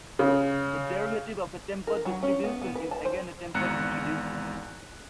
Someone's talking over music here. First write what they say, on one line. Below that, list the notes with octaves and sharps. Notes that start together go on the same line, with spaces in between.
The derivative of a tempered distribution is again a tempered distribution.
C#3
A#4
F#3
C#4
B3
B3
B4
A5
C5
G#1 E2 A#5 F#6 C#7